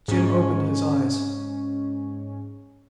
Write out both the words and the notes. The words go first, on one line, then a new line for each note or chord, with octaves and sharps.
Jim opened his eyes.
G#2 C#4